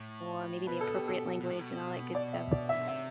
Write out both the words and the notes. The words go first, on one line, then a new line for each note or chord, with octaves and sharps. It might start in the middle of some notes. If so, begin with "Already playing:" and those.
or maybe the appropriate language and all that good stuff,
Already playing: A2
B2 B4
A4
G4
A4
B2
A2
B2
D5
E5
D5
E5
E3
D3
C3 E5